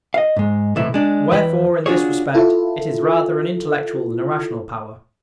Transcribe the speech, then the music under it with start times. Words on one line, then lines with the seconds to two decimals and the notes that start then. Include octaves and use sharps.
Wherefore in this respect it is rather an intellectual than a rational power.
0.14 D#5 F5
0.36 G#2 G#3
0.76 B1 A2 C3 E3 E4
0.94 G#3 D4
1.31 E2 E3 E4 B4 G5
1.86 D4 F4 F#4 G#4 C#5
2.34 E4 F4 A4